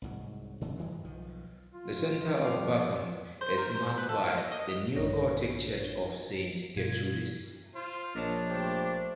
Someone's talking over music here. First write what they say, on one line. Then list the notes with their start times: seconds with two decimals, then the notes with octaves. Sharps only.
The center of Bockum is marked by the neogothic church of Saint Gertrudis.
0.02 C2 G#2 F#3
0.61 G#2 C#3
0.77 G2 D#3 E3 G#3
1.04 B1 D#3 F3
1.73 F4
2.38 F3 G3 B3 C4 F5
3.41 C5
3.57 A#4
3.69 C5
3.83 C5
3.97 B4
4.09 A4
4.26 A#3
4.38 D#5
4.52 D#5
4.96 A#1 G2 D4 C#5 A#6
6.76 G2 B2 F4 G#6
7.75 F4 C5
8.15 A#1 D4 A#4 C#5 D#5 A5
8.50 A3 G4 C5